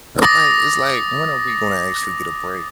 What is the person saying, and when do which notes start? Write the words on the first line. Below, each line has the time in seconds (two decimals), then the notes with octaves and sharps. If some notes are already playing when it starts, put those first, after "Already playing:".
Like, it's like, when are we gonna actually get a break?
0.22 D6 D#6 A6 A#6